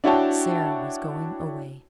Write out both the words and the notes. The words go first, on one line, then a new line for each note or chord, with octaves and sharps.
Sara was going away.
D4 E4 F#4 C#5 G5 A5